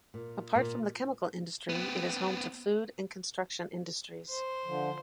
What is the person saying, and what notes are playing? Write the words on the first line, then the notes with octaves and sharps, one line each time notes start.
Apart from the chemical industry it is home to food and construction industries.
A#2
A#2
B3 C4
C5
D3 F3